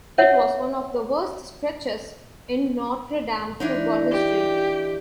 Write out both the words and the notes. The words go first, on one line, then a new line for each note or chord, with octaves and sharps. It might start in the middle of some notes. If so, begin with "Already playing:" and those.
It was one of the worst stretches in Notre Dame football history.
C#5 E5 F#5
E3 D4 D#4
G4